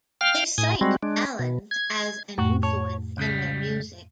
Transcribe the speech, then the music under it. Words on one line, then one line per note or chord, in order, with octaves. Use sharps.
They cite Valens as an influence in their music.
F5 G5 F6
A2 G#5 D#6
G3 G#3 C4 F#4
G#3 D4
B2
G#6
F2 A2 A3 F#4
C#5 A5
C#2 C#3 G3